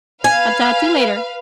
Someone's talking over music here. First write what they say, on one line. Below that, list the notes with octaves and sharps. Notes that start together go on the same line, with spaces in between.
I'll talk to you later.
B4 F5 G#5